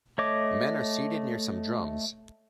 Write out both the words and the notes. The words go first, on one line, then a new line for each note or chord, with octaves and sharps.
Men are seated near some drums.
A3 C#5 D#5 D6